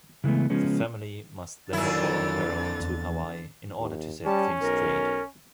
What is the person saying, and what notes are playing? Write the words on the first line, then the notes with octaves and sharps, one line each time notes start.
The family must then follow Carol to Hawaii in order to set things straight.
C#3 E3 G#3 A3 B3
C#3 F3 G#3 B3 C#4
F2 A#2 D3 D#3 F#3 E4 A6
E2
D#2
G3 C#4 A5
B1 A#4